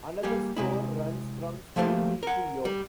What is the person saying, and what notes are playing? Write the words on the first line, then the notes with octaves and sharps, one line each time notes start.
Another spur runs from Selby to York.
G3 A#3 G4 G#4
C3 G#3 E4
F3 A3 A#3 G4 C5
A#4 F#5
G3